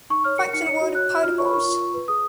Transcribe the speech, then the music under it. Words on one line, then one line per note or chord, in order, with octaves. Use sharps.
Function word of particles.
D#4 C#6
C#5 F6
A#4 C#7
D#4 C#7
C#5 C#7
F#4
C#5 F#6
F#4
F4 F6
C#5 C#6
B5
A#4 C#6
F4
F4
B4
G#4 D#6